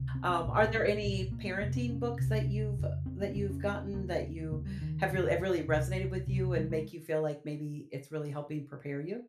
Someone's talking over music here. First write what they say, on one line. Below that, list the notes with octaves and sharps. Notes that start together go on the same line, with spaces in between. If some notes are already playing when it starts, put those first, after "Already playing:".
Um, are there any parenting books that you've that you've gotten that you have really have really resonated with you and make you feel like maybe it's really helping prepare you?
Already playing: C#2 C3
C4
C4
C2 A#2 A#3
G#3
C2 A#2
A#3
A#3
F2 C3 A#3
C4
C#4
C#2 C3
F2 C#3
C4
A#3
F2 C#3 C4
C#4
C4
D#2 C#3 A#3
D#2 C#3 A#3
G3
D#3
F2 C#3
F3
C#2 C3
C#2 C3
G3
G#3